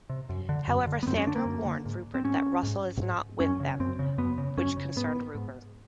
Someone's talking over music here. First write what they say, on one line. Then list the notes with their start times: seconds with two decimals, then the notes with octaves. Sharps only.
However, Sandra warned Rupert that Russell is not with them which concerned Rupert.
0.10 C3
0.29 F#2
0.49 D3
0.68 F#2
0.87 D3
1.03 B3
1.07 F#2 C4
1.17 C#4
1.27 D3 D4
1.36 A#3
1.45 F#2
1.65 D3
1.85 G#2
2.15 C4
2.24 G#2 C#4
2.63 G#2
3.02 G#2
3.40 F#2 C#4
3.60 C#3
3.80 F#2 C4
3.99 C#3
4.18 F#2 B3
4.38 C#3
4.57 F#2 C#4
4.77 C#3
4.96 G#2 B3
5.35 G#2